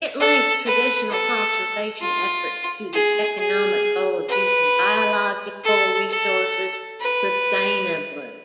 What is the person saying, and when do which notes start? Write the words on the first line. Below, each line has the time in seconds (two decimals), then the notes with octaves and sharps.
It links traditional conservation efforts to the economic goal of using biological resources sustainably.
0.20 A4
0.66 B4
1.11 A4
2.01 F4
2.93 G#4
3.38 G#4
4.29 B4
5.65 A4
6.10 A4
7.01 B4